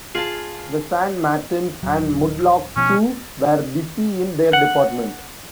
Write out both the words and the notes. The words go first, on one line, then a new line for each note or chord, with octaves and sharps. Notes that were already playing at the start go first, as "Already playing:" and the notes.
The sand-martins, and mudlarks, too, were busy in their department.
F4 G#4 A5
D#1 F#3
B2 F3 C#4
F#5